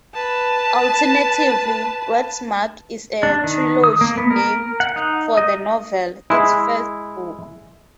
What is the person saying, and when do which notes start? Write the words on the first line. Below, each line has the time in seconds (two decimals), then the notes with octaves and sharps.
Alternatively, "Westmark" is a trilogy named for the novel, its first book.
0.14 B4 A5
3.23 D4
3.44 D#3
3.84 D#6
4.01 A#3
4.17 B3
4.30 A#4
4.80 F#5
4.96 D#4
5.37 D#5
6.30 G#3 E4